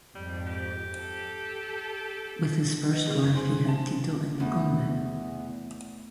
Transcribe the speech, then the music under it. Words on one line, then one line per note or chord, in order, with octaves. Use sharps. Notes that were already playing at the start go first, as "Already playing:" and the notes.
With his first wife he had Tito and Nikombe.
F2 G#2 G3
G4
A4
B4 D#5
D#3 G#3
F#1 C#3 G#3
G#4 C5 G#5 C6
A5
E2 A3 B3